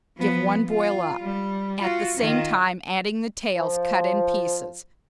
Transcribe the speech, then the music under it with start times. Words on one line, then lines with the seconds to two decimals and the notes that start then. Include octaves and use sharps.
Give one boil up, at the same time adding the tails cut in pieces.
0.17 F3 B3
0.67 F4
1.20 G3
1.81 F4 F#4
2.16 D#3 F4
3.56 F3